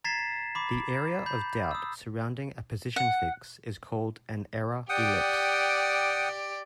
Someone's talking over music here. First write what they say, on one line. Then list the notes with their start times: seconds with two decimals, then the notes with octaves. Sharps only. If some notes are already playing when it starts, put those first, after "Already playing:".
The area of doubt surrounding a position fix is called an error ellipse.
0.04 A#5 G#6 A6 B6 C7 E7
0.55 B5 D6
1.26 B5 G6
1.71 D#6 E6
2.96 F#5
4.89 G4 D5 F#5 G5 D#6